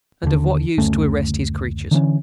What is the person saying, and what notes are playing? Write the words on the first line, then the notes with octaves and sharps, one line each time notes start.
And of what use to arrest his creatures?
D#2 D3
F#1 D2 A3 C#4
D3 E3 A#3 C#4